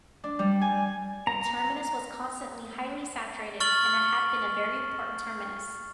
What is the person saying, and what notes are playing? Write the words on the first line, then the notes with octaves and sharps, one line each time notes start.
The terminus was constantly highly saturated and it had been a very important terminus.
D4
G3
G#5
A#5
C#6 F6 A6 F#7 G7